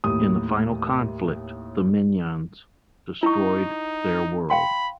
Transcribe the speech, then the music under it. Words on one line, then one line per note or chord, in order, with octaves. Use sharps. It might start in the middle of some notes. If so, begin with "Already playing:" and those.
In the final conflict, the Minyans destroyed their world.
D#2 A2 E4 D#6
D#4 E4 C#6
F5 G5 B5 C6